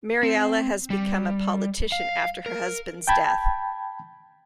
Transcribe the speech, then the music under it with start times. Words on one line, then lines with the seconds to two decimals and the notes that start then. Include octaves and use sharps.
Mariella has become a politician after her husband's death.
0.23 C4
0.90 G3
1.92 F5
2.46 A#4
3.07 G5 A5 B5 G#6